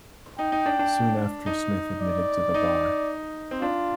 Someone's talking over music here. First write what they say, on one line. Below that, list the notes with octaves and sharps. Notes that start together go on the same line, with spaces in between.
Soon after Smith admitted to the bar.
D#4 G5
D#4
D4
D4
D#4
D5
D#4
C4
D4 F4